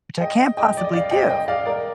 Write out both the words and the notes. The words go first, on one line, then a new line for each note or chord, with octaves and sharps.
Which I can't possibly do.
D#5 G5
D#5 G5
D5
D#5
D5 F5
D#5 G5
D#5 G5
D5 F5
A#4 D5